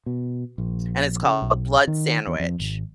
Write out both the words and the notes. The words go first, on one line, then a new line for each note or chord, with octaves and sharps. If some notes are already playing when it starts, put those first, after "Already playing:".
and it's called Blood Sandwich,
B2
A#1
C#3
B1
D#3
E2
F2
G#1